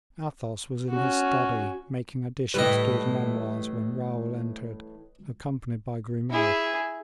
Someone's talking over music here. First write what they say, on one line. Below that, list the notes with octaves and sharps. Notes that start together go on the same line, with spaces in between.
Athos was in his study, making additions to his memoirs, when Raoul entered, accompanied by Grimaud.
C#4 F#4
A2 E3 G3 B4 D#5
E4 G#4